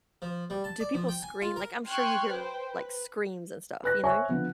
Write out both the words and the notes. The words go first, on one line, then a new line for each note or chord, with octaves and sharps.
do people scream? Like, I'm sure you hear, like, screams and stuff, you know?
F3
G3
A5
D5
F3
G5
G#5
F4
A#4
G5 C6 C#6 F6 F#6 G#6
B4 C5 G5
B4
B4 F#6 A#6
C5 C#5 E5 G#5 C#6
D3 F3 B3